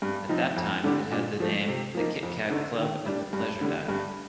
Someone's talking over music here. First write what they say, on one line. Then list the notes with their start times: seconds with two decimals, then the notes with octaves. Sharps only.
At that time it had the name the Kitkat Club at the Pleasure Dive.
0.02 G2
0.29 F3 C4 D#4
0.57 F2
0.84 D3 G3 D4
1.12 A#2
1.40 F3 A3
1.67 C3
1.95 F3 A#3 D#4
2.23 F2
2.50 D3 A3 D#4
2.78 D#3
3.06 G3 D4
3.33 G2
3.61 D3 G3
3.88 G2